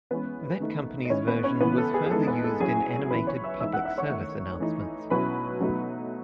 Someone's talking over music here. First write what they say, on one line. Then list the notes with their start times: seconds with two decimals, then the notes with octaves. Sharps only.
That company's version was further used in animated public service announcements.
0.11 E3 G#3 B3 C#4 B4
0.60 D#3 A3 D#4
1.05 D#5
1.10 D#3 G#3 C#4 E4 C#5
1.27 B3 B4
1.44 C#4 C#5
1.61 C#3 E3 B3 E4 B4
1.78 A4
1.94 G#4
2.06 G#4
2.11 E3 G#3 B3 D#4 A4
2.27 B3 B4
2.44 A4
2.60 F#3 C#4 E4 G#4 G#5
3.11 C#3 E3 B3 E4 B4 B5
3.27 C#5 C#6
3.44 E5 E6
3.60 E3 G#3 D#4 E5 E6
3.73 F#5 F#6
3.85 E5 E6
3.98 C#5 C#6
4.11 D#3 A3 D#4
4.60 E3 A3 D#4
5.10 B2 F#3 C#4 E4 B4 B5
5.61 B2 F#3 A3 D#4